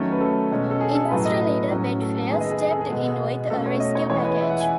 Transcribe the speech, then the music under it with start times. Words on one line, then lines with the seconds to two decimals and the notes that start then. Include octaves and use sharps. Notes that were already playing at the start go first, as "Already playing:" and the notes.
Industry leader Betfair stepped in with a rescue package.
Already playing: D#3 F#3 A3 C#4
0.12 B4
0.21 A4
0.51 B2 G#3 C#4
0.71 A4
0.80 G#4
0.95 A4
1.11 A2 F#3 A3 B4
1.25 D#5
1.41 B4
1.70 A2 F#3 C#4
2.01 A4
2.15 A4
2.30 D#3 G#3 B3 G#4
2.41 D#5
2.51 G#4
2.61 G#4
2.71 A4
2.81 G#4
2.90 B2 G#3 B3
3.50 B2 A3 C#4 A4
3.66 C#5
3.80 D#5
3.95 C#5
4.10 E3 G#3 B3 C#5
4.25 B4
4.41 E5
4.50 F#5
4.61 G#5